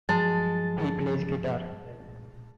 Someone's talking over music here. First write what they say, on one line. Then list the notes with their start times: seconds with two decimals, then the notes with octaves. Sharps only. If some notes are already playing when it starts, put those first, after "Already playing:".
He plays guitar.
0.09 G2 F3 F#3 G#3 A5